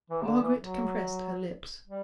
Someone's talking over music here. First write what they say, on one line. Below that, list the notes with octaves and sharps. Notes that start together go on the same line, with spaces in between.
Margaret compressed her lips.
E3
C3
D3
E3
F#3
G3